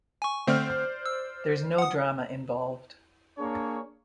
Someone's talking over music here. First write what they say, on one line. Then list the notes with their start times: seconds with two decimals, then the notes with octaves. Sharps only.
There's no drama involved.
0.22 G#5 C#6
0.47 D3 A3 C4 C5 D5 F6
1.06 E6
1.78 F#5 D#6
3.38 A#3 D4 G#4 C#5